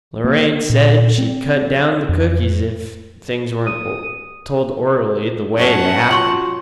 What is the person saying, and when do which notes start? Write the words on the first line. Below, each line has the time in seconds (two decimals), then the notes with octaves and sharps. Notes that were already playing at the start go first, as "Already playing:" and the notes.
Lorraine said she'd cut down the cookies if things weren't told orderly the way they happened.
0.24 A#3
0.70 A#2
1.18 C4
2.09 F2
3.66 D#6
5.58 F#2 C#4 C#5 F#5 A5
6.11 F4 F#4 C6 C#6 F#7